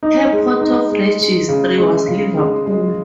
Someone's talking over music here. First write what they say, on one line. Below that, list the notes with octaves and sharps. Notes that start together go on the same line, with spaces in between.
Her port of registry was Liverpool.
D#4
G#3
D#4
G#3
G#3
C#3
G#3
C#3
G#3
G#3